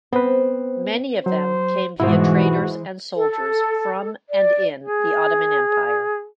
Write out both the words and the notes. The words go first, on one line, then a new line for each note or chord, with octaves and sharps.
Many of them came via traders and soldiers from and in the Ottoman Empire.
B3 C4 B4
F#3 C5
G#2 B2 E3 G#3 E4 F#4 C5
A4
D5
G#4